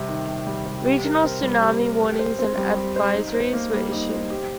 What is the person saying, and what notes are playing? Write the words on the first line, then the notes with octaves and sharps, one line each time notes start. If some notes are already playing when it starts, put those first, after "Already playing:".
Regional tsunami warnings and advisories were issued.
Already playing: C3 G3
D#3
C3
G3
C3
G4
A#4
C4
G3
G4
A#4
G4
C5
C4
G3
G4
C5
D#4
C5
A#3
G3
D#4
C5
G4